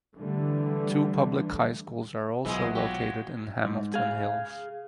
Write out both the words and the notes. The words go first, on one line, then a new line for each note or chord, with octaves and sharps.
Two public high schools are also located in Hamilton Hills.
D3 E3 G3 A3
B1 G#2 E3 G#3 F4 F#4 D#6
F#3 G#3 G4
G#2
G#4 F5